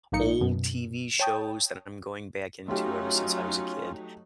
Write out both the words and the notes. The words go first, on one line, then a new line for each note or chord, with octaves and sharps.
old TV shows that I'm going back into ever since I was a kid.
A#1 G#2 A#3 D#4 C#7
F#2 B2
C#5 G5 A5 D#6
F#3 A3 C#4 D#4 F4 G4